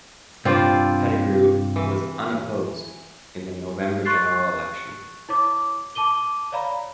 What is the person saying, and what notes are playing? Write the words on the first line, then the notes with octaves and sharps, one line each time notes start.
Pettigrew was unopposed in the November general election.
G2 C3 C4 F4 D5
E3
C6 C#6 F#6 A6 C7
E4 C#5 D6
A5 D6 D#7 G7
C#5 D5 F5 A#5 B5